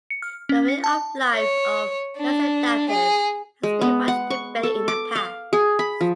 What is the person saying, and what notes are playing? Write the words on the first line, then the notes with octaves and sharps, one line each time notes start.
The way of life of "Plesiadapis" has been much debated in the past.
C#7
F6
C#4
C#7
A5
C#5
D4
G#4
G#3
B3
F#5
C#6
A4
D6
F5
G#4
B5
F3